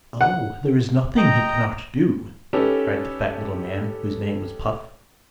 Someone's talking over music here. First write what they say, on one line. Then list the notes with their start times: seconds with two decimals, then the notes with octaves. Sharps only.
"Oh! there is nothing he cannot do," cried the fat little man whose name was Puff.
0.21 F#5
1.17 D#5 G5 A#5
2.53 C#4 D#4 G4 A4 B4